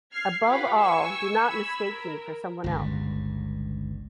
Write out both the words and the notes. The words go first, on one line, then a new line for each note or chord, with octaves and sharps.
Above all, do not mistake me for someone else!
F6 G#6 C7
F4 G4 B4 F5 F#5 B5
G#5 C#6 E6
B5 E6 G#6
A#4
G1 C#2 G2